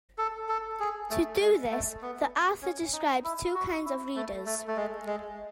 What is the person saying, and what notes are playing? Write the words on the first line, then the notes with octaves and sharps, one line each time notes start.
To do this, the author describes two kinds of readers.
A4
A4
G#4
A3
G#3
A3
B3
C#4
D#4
E4
F#4
E4
A3
A3
A3
G#3
G#3